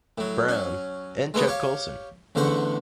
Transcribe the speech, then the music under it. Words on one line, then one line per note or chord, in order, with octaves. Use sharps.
Brown, and Chuck Colson.
A2 F#3
F#3 C#4
G#3 A3 B3 D#5
G4 C#5 F5
A1 E2 D3 C5 F#5 C#6